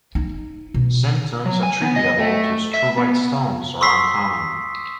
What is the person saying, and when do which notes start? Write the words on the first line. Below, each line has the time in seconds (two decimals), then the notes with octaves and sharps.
Symptoms attributable to struvite stones are uncommon.
0.15 D#4
0.74 B2
1.46 F#3
1.63 G#5
1.82 B3
1.96 D#5
2.19 A3
2.74 E5
2.97 B3
3.81 C6 C#6 D#6 E6 B6 C7